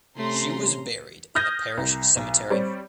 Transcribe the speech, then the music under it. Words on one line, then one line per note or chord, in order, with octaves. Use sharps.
She was buried in the parish cemetery.
C3 A3 C#4 A#5 C6
D#6 F6 G6 G#6 A#6 D#7
C2
B1
G3 C4 C#5 D5